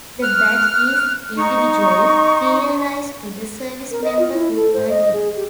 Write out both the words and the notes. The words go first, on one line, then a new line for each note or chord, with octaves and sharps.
The badge is individually serialized to the service member who earned it.
F6 F#6
D#4 C#6
A#4
D#5
F4
E4
A4
C5
D#5
G#4
G4